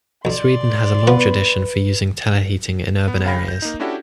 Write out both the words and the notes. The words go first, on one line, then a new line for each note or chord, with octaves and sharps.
Sweden has a long tradition for using teleheating in urban areas.
B1 F2 D5 C6
F3 B3 F4 B4
B3
C2 C#3 F5 G5 B5 A#6
G6
A#3 D#4
C#4 D4 E4 F#4 G4 A4